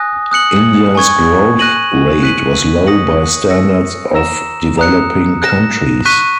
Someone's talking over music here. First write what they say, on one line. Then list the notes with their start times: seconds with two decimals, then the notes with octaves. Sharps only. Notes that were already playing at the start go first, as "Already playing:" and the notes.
India's growth rate was low by standards of developing countries.
Already playing: G#5 D#6 F#6 A#6
0.31 D#6 F#6 C#7 F#7
0.95 G#5 C#6 G#6
1.59 F#6 A#6 D#7 F#7
2.23 F#6 B6 D#7 F#7
2.87 D#6 A#6 C#7 F#7
3.50 E6 A#6 C#7
4.14 A#5 E6 A#6 E7
4.78 A#5 D#6 F#6 C#7
5.42 F#6 A#6 E7
6.05 C#6 F#6 B6 D#7